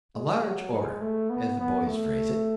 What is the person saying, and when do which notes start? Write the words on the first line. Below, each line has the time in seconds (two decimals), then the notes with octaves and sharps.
A large order, as the boys phrase it!
0.15 G#3
0.44 F#3
0.72 G#3
1.01 A3
1.30 B3
1.59 B3
1.87 A3